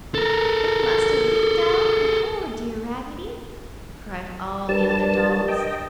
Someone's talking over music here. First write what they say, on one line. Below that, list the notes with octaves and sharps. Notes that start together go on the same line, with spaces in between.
"They must have leaked out before, dear Raggedy!" cried all the other dolls.
A4 A#4
G3 D4 A#4 B4 A5
D#5 G5